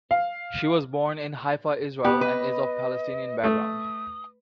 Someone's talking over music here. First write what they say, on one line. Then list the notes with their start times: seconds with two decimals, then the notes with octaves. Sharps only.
She was born in Haifa, Israel and is of Palestinian background.
0.11 F5
2.05 B3 G4
2.21 B4 D#5
3.44 A3 D#6